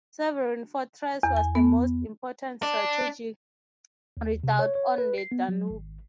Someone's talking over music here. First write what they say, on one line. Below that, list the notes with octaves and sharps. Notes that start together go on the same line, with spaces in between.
Severin fortress was the most important strategic redoubt on the Danube.
E2
G#5
B3
D4
D#2
C3
C#5
C#5
B4
C7
B3
F#3
G#1